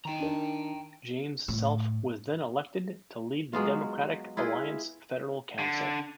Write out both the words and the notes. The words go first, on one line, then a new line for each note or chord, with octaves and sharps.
James Selfe was then elected to lead the Democratic Alliance Federal Council.
D#3 D#4 G5 A#5
D4 A#4
A2
F#3 G#3 B3 F4
E4 F4 G#4 B4
D3